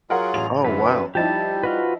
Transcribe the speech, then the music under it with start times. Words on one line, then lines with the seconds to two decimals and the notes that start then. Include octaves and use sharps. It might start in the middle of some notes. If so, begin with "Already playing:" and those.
Oh, wow.
0.10 F#3 F4 G#4 A#4 F#5
0.34 A1 F7
0.64 F#2 D3 E3 B4
1.15 F3 G3 D#4 E4 G4 A5
1.63 F4 F#4 B4